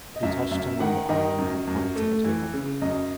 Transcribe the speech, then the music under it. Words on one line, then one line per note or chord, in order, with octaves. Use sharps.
He touched him on the arm and pointed to the table.
D#5
F#2 E5
F#2 E5
D#3 F#5
D#3 D#5
F#2
F#2
A3
E3
C#3
F#2 D#5